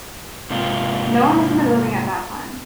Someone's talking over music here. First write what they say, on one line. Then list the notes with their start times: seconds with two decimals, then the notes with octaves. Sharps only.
No one was in the building at that time.
0.50 G#2 C3 F4